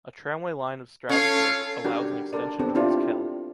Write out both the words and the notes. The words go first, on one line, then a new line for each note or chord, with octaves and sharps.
A Tramway line of Strasbourg allows an extension towards Kehl.
C#4 F4 A4 C#5 F5
D4 F#4 G4 A#4
D4 A4 A#4 D5
B3 C4 D4 G4 A4
D4 E4 F4 G4 C5 D5